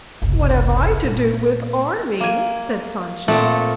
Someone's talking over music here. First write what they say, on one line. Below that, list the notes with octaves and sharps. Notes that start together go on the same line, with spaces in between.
"What have I to do with arming?" said Sancho.
F#1 C2
A#2 A#3
A#3 G#5
A#2 A3 C4 A4 F#5